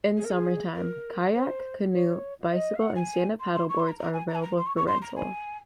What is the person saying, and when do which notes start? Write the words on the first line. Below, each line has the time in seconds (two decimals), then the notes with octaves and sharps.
In summertime, kayak, canoe, bicycle, and stand up paddle boards are available for rental.
0.17 G#4
0.24 A#4
0.30 G#4
0.75 A#4
1.34 C5
1.92 C#5
2.43 F5
2.52 D#5
2.75 F5
2.81 F#5
2.95 G#5
3.40 C6
3.55 C6
3.69 C#6
3.79 C6
3.88 A#5
3.99 A#5
4.13 G#5
4.28 A#5
4.35 G#5
4.42 A#5
4.57 C6
4.66 C#6
4.76 C#6
4.87 C6
5.02 A#5
5.16 G#5